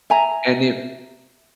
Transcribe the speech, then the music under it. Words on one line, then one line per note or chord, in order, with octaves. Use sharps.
and it
E5 G#5 A#5